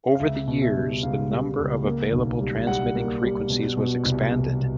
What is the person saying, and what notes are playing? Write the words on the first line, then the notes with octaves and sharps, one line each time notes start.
Over the years, the number of available transmitting frequencies was expanded.
F5
C#2 E5
B2
E5
G3
C#2 F5
G3
C#2
A#3
B1
G3
G3 F#5
A#3
G3
B2
B2
C2
C2
B2